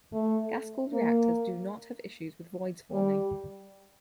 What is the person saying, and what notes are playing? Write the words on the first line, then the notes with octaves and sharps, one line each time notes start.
Gas-cooled reactors do not have issues with voids forming.
A3
A#3
G3